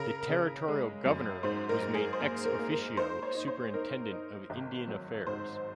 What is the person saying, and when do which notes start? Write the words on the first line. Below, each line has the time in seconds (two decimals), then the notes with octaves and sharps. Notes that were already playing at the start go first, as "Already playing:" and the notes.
The territorial governor was made "ex officio" Superintentant of Indian Affairs.
Already playing: C#3 A#4
0.29 C#3
0.68 G#3
1.05 F#2
1.43 G#2 C5
1.69 A#4
1.82 G#2
1.94 G#4
2.13 C5
2.20 A#3 A#4
2.45 A#4
2.58 A#3
2.72 A#4
2.97 D#4 C5
3.23 C#5
3.35 D#4
3.48 C5
3.74 D#4 A#4
4.12 D#4
4.50 G#1
4.87 F#3
5.27 G#2 C5